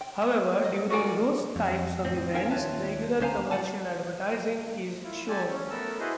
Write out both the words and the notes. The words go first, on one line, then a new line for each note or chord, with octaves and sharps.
However, during those types of events, regular commercial advertising is shown.
G5
A#3 D#5
B3 F#4 A#4 D5 G#5 C#6
F2
F2 A2 C4
C4 D#4 A#4 F5 G5 G#5
D#2 F4 B4 C#5 E5 A5
D2 C#4 C5 F5 G#5 A#5
A2 F#3 D5 F#5 G#5 A5
E4 F4
G4 A4 D5 G#5 A5
C#4
A3 B3 A4 A#4 E6
E4 F#4 G#4 B4 C5 D#5